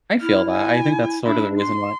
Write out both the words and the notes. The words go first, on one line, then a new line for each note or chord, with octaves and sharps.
I feel that. I think that's sorta the reason why
E4 F6
G#5
D4 E4
C6